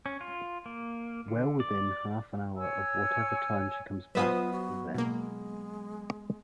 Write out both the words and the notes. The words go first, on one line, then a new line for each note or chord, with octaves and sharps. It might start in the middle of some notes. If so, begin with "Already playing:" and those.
Well, within half an hour of whatever time she comes back, then.
C#4
F4
A#3
D3
D5
C#5 G#5 E6
F#3 B3 F4 B4 C5 D#5 E5 D#6
F#4
B2 G#3 A#3